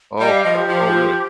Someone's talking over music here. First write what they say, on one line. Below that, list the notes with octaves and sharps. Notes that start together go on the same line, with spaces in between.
Oh, y oh, really?
G3 D#5
F5
F3 D#5
G4
F3